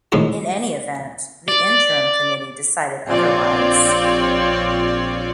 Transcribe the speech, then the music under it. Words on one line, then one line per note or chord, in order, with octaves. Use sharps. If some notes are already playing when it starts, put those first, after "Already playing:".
In any event, the Interim Committee decided otherwise.
F2 A2 D#3 G#3 E4
D5
A#1 C4 F4 C#5 D5